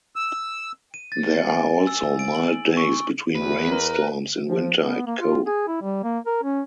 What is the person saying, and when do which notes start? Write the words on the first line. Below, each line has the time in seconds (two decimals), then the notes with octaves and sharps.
There are also mild days between rainstorms in winter at Coe.
0.16 E6
0.94 D#7
1.12 A6
1.50 G#5
1.87 E6
2.19 D7
2.35 F#7
2.77 C#6
3.35 E2 B4
3.71 A#4
4.48 F3
4.79 B3
5.06 A#3
5.20 F4
5.46 G#4
5.68 E4
5.82 G3
6.03 A#3
6.26 A#4
6.43 C#4